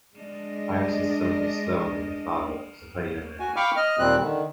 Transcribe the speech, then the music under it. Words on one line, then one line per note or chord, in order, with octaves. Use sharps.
Iris is somewhat slower than her father because of her young age.
G#3 D4 D#5
F#4 G#5
F5 G5 B5 C#6 D6 F6
D#5 F6
D#2 A#2 G3 C4 F#6
D3 D#3